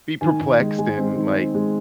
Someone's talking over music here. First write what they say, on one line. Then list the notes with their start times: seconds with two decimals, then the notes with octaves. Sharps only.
be perplexed and, like,
0.21 D#3 G#5
0.41 D#3
0.60 G#3
0.78 G#3 G#5
0.97 C4
1.17 D#3
1.37 C4
1.54 G#3